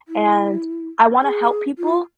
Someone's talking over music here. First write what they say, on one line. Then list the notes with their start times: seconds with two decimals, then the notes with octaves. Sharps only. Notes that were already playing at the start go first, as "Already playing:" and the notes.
and I wanna help people,
0.08 E4
1.22 G#4
1.78 F4